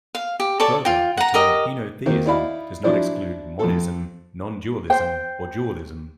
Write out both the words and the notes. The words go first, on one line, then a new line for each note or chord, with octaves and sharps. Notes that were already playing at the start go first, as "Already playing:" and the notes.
Further, the term henotheism does not exclude monism, nondualism or dualism.
F5
G4
A4 C#5 D5 A5
F4 G5
F#5 A#5
G4 A#4 D#5
D#3 A#3 C4
D#4 E4 D5 F5 B5
F3 F#3 D4 E4 C5 D5
F2 A4
C5 G5